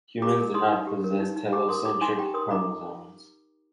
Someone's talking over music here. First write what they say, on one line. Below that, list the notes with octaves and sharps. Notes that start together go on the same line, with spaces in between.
Humans do not possess telocentric chromosomes.
G4 A#5 D6
A#4
D#4 C6 D#6
D#4
G4
A#4
D#4
D#4
G4 A#5 D6
A#4 C6 D#6
D#4 A#5 D6
D#4 G#5 C6
G4 G5 A#5
A#4 C6 D#6
D#4 A#5 D6